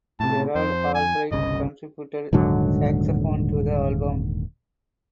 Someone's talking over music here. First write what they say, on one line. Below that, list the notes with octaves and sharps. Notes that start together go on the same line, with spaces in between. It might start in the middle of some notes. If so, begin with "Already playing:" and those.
Gerald Albright contributed saxophone to the album.
A2 C3 A5
F2 C5
G#5
G1 C2 C#3 D#5
D#1 G#2 D3 F#3